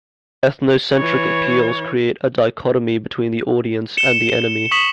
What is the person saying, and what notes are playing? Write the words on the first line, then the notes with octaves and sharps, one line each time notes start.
Ethnocentric appeals create a dichotomy between the audience and the enemy.
E3 C#5
C#7 E7 G7
C#6 D#6 B6 E7 F#7